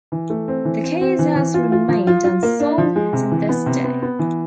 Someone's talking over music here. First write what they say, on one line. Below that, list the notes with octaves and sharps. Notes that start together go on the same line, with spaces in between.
The case has remained unsolved to this day.
E3
A3
C4
E3
C4
C4
E3
E3
F4
F4
F3
F4
F4
A#3
D4
F3
G#3
C3
E3
B3
C3
B3
B3
E3